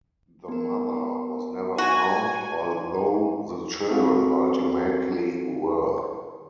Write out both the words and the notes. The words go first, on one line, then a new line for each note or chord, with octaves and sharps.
The mother was never found, although the children ultimately were.
B3 A#4
F#4 G#5
C4 F#4 A4 F5